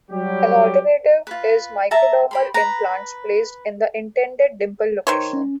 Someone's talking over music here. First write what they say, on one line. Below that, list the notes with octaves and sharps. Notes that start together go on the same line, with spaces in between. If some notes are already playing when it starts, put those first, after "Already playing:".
An alternative is microdermal implants, placed in the intended dimple location.
F#3 G3 G4
F4 B4
E5 A5 A#5
G4 B5 C6
B4 A#5
D#3 C5 C#5
C#4